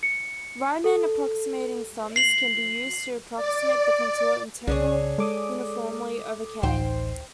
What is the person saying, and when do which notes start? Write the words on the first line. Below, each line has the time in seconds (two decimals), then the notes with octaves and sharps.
Riemann approximating sums can be used to approximate the contour integral uniformly over "K".
0.03 C#7
0.84 A4
2.16 C7 F#7
3.36 D5
4.67 C2 C#3 D4 G#4 C#5
5.18 G#3 A4 D6 D#6
6.63 A1 D2 D#4 C5 G5